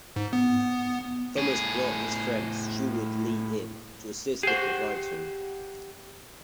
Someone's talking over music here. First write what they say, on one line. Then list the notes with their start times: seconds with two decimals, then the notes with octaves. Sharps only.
Thomas brought his friend Stewart Lee in to assist with the writing.
0.16 G#2
0.33 B3
1.37 A2 G#4
4.43 G4 G#4 C5 F#5